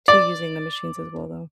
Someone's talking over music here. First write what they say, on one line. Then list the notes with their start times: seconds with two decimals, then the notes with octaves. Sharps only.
to using the machines as well, though.
0.08 D5